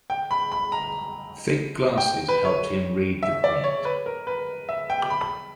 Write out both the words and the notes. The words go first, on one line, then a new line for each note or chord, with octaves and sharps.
Thick glasses helped him read the print.
G5
B5
B5
A#5
G5
B4
C#5
E5
D5
C#5
B4
A#4
B4
E5
G5
B5